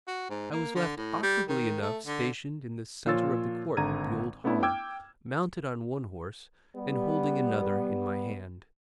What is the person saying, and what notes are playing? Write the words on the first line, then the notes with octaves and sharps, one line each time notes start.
I was left awkwardly enough stationed in the centre of the court of the old hall, mounted on one horse, and holding another in my hand.
F#4
G#2
A#3
D3
A2
G3
D#3
A3
D3
A#2 F3 F4 C#5 E6 A6
G#1 D3 A#5 G#6 D#7
A3 B3 C#4 D4 E4
G5 D6 E6 F6 G#6
G3 B3